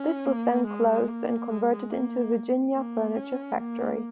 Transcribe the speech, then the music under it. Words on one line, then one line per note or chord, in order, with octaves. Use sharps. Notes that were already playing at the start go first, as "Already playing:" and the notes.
This was then closed and converted into a Virginia furniture factory.
Already playing: C#4
A#3
G#3
A#3
G#3
A#3
A#3
C#4
A#3